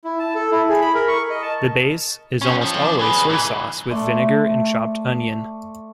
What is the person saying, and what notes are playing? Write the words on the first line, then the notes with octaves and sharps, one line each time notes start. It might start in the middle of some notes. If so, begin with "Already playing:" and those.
The base is almost always soy sauce with vinegar and chopped onion.
E4
A5
A4
E4
G#4
B5
A#4
C#6
D#5
A5
C4 C#4
F3 C4
B1 D4
G#4 B4
G#2 E3
A3 D5 C6